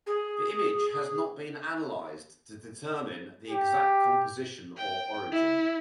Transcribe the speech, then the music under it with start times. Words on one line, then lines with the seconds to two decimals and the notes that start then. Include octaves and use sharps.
The image has not been analyzed to determine its exact composition or origin.
0.07 G#4
3.50 G4
4.77 G5
5.32 E4